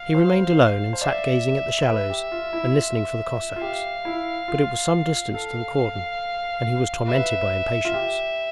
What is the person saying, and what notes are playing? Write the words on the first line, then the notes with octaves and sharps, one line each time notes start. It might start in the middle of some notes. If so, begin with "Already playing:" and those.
He remained alone and sat gazing at the shallows and listening for the Cossacks; but it was some distance to the cordon and he was tormented by impatience.
Already playing: F5
C5
C5
D5 E5
B4
G4
F4
E4
F4
F4
G4 F5
E4
F4
A4 F5
B4 E5
F4
G4